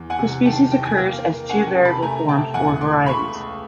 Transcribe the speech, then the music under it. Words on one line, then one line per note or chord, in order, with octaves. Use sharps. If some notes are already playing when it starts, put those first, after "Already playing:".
The species occurs as two variable forms or varieties.
Already playing: E2
F#5 G#5
C3
D#3 G5 A5
E2 G5
G#5
A#3 F5 G5
A#3
C#4 F#5 G#5
G5 A5
C3
A5 B5
A3 G#5 A#5
A3 G5 A5
E2 F#5 G#5
A3 C6 D6
C#2 B5 C#6
C#2